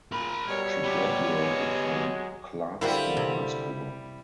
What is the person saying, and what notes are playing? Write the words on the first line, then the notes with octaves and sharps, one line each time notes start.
She graduated from Clarkston High School.
A#2 A#4 B5
B2 G3 C#5
B3 G4
G#3
F#3
D3 G3 A#3 C4 E4 F#4
C3